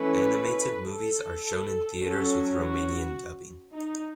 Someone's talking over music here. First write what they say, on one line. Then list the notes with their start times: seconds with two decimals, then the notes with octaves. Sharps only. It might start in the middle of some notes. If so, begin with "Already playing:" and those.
Animated movies are shown in theaters with Romanian dubbing.
Already playing: E3 A3 C#4 B4
0.89 A4
2.02 F#3 C#4 A4
2.59 F#4
3.74 D#4